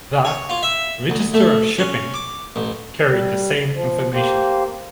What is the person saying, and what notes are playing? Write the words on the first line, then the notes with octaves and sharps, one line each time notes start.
The "Register of Shipping" carried the same information.
C#5
F4
E5
D2
A3
C#4
D6
A1
G3
F3
A#3 G4 C5